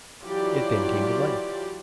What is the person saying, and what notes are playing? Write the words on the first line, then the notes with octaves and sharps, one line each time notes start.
It then came to life.
E3 F#3 E4 F4 G4 D5